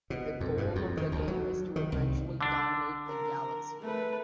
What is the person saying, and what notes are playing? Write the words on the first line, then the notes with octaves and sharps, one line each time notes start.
The goal of the game is to eventually dominate the galaxy.
B2
F2
G2
F2
D#3
D2
F#3
D#3
C2
D3 D4
A#4
A3 B4